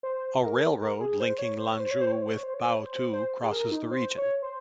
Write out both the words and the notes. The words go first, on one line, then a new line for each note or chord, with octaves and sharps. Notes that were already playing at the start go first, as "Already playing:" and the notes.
A railroad, linking Lanzhou with Baotou, crosses the region.
C5
A#4
A#4
G#4
C5
C#5
C5
C#5
C5
C#5
C5
C#5
C5
C#5
C5
C#5
C5
C#5
C5
C5
G#4
A#4
D#4
C5
C#5
C5